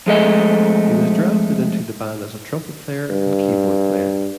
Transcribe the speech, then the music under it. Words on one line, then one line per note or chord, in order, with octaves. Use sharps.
He was drafted into the band as a trumpet player and keyboard player.
F2 G#3 A3 D#5
G2